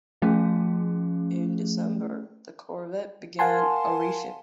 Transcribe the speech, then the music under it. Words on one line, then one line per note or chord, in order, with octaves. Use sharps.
In December, the corvette began a refit.
F3 A3 C#4 G#4
A#4 F5 F#5 G#5 A5 C6